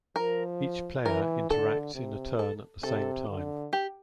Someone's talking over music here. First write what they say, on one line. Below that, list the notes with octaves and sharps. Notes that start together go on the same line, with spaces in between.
Each player interacts in a turn at the same time.
F3 A#4
E3 A#4
D3 A4
C3
A4
C3 A4
D3
G4